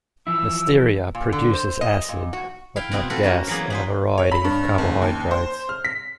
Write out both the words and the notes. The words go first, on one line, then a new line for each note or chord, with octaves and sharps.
"Listeria" produces acid, but not gas, in a variety of carbohydrates.
E3 F3 E4 E6
A#2
D3
C5
D#5
A#2
F#4
E4 F5 G5
B2 B3 C4 E4
C4 F4 F#4 A4 B4
A#3 C#4 F#4
E3 F#3 A#3 B3 G#4
B3 B4 C5
C#5
B5
G2
F#1
D#2
C5
F6
B6